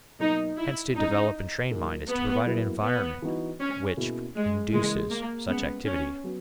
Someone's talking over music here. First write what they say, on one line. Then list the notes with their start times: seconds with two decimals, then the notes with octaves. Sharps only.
Hence to develop and train mind is to provide an environment which induces such activity.
0.20 B2 F#3 A#3 D#4
0.57 E4
0.95 G#3 C#4 D#4 E4
1.71 A#2 F#3 A#3 D#4 G#4
2.09 B3
2.46 F#3 A#3 E4 G#4
2.83 B3
3.22 E3 B3 D#4 F#4
3.60 C#4
3.97 B2 A#3 E4 G#4
4.35 G#3
4.72 C#3 E3 G#3 A#3
5.10 A#3
5.48 G#3 B3 C#4 G#4
5.86 C#4
6.24 F#3 B3 F#4